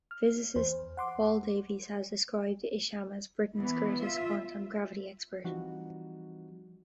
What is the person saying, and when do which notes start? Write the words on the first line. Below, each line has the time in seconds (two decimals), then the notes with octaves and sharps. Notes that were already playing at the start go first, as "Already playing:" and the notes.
Physicist Paul Davies has described Isham as Britain's greatest quantum gravity expert.
0.11 F6
0.56 E2 C5
0.97 F#5 C6 D6
3.55 E3 B3
4.01 F4 E5
5.44 E3 F3 G3 C4 D#4 F#4